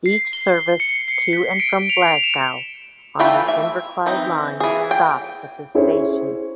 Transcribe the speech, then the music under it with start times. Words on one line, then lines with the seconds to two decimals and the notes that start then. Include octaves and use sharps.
Each service to and from Glasgow on the Inverclyde Line stops at this station.
0.06 C7
0.33 G7
0.80 C#7
1.08 C7
1.33 B6
1.60 D7
1.90 F7
2.02 D7
2.24 E7
3.19 E3 A3 F4 G5 B5
3.48 E5
4.06 E3 C4 D#4
4.60 E3 G#4
4.91 G5
5.75 C#4 E4 G#4 C5 C#5